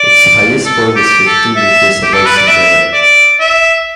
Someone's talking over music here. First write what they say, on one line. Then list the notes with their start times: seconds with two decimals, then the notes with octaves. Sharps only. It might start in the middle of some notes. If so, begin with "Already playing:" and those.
Its highest point is fifty meters above sea level.
Already playing: D5
0.66 A4
0.96 G4
1.27 A4
1.56 E5
2.03 G4
2.14 A4
2.26 B4
2.37 D5
2.48 E5
2.93 D5
3.40 E5